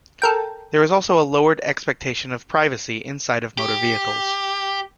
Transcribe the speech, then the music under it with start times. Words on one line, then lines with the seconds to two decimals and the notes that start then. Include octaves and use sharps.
There is also a lowered expectation of privacy inside of motor vehicles.
0.22 A4 A#4 G5
3.58 G4